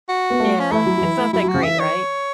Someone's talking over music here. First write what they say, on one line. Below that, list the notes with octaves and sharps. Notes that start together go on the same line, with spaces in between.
Yeah. It's not that great, right?
F#4
B3
A3
C#4
A3 E4
F#3
F#3
E3
A3
F#3 E4
F#3
F#4
C#3
E3 E5
C#5